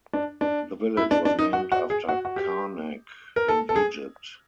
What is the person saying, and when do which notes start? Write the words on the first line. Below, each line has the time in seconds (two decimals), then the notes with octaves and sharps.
The village was named after Karnak, in Egypt.
0.13 D4
0.41 D4
0.97 E4
1.11 D4
1.25 D4
1.39 D#4
1.53 F#4
1.72 F#4
1.90 G#4
2.09 F#4
2.25 F#4
2.36 G4
3.36 A#4
3.48 A4
3.69 A4
3.76 G#4